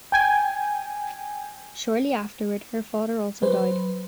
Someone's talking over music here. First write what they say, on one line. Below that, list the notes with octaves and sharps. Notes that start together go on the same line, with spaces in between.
Shortly afterward, her father also died.
G5 G#5
F#3 B4 C5